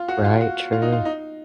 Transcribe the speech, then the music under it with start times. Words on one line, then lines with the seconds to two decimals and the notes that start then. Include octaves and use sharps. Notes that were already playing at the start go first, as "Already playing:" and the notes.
Right, true.
Already playing: F4
0.08 F#4
0.25 F4
0.41 F#4
0.72 F4
0.82 D#4
0.92 F4
1.05 D#4